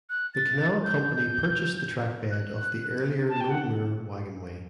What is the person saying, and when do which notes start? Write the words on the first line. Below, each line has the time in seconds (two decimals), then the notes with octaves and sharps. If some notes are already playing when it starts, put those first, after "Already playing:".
The canal company purchased the trackbed of the earlier Low Moor Waggonway.
0.09 F#6
0.34 A6
0.84 G6
2.31 F#6
3.29 A5
3.41 G5
3.50 F#5